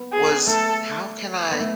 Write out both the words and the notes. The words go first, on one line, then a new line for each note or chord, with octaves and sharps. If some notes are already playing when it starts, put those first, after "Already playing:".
was, "How can I
Already playing: B3
G#4
A3 A4
B3
A3